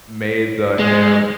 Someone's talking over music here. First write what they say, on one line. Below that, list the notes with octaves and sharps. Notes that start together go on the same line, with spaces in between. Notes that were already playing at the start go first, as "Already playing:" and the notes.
made the ham
G#3